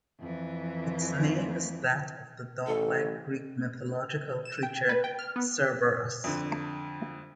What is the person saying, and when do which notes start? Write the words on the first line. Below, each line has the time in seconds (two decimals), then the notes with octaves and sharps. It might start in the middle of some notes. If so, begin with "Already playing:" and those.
Its name is that of the dog-like Greek mythological creature Cerberus.
0.20 F2 E3
2.67 A1 A4
4.45 E7
4.63 G5
4.89 B4
5.04 G5
5.19 F6
5.36 B3
6.24 F2 D3